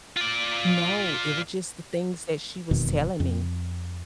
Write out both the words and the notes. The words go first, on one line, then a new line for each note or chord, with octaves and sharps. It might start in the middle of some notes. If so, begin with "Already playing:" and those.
No. It was just the things that she was telling me.
F4 D5
E1 F2 B2 D#3
F2